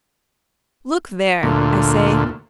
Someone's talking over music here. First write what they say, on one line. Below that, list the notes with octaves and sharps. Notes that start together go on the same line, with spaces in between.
"Look there!" I say.
D2 A#2